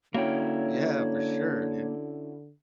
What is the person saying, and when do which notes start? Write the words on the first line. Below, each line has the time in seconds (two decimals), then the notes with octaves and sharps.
Yeah, for sure, dude.
0.14 D3 A#3 C#4 E4 F#4 C#5 G5